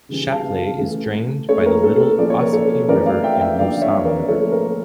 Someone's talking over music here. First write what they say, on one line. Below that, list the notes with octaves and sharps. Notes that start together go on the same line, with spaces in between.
Shapleigh is drained by the Little Ossipee River and Mousam River.
C#3 E3 G3 C#4
F5 A5
E3 A3 C#4
A#2 A3 C#4 A4 C#5
A#4
A4
A4
A#2 F3 C#4 D5
C#5
A#4
A4 C#5
E3 A3 C#4 A#4 D5
D5 F5
E5 G5
E5 G5
D3 F3 A#3 D5 F5
C#5 E5
A#4 D5
A#2 F3 A3 C#4 A4 C#5
A#4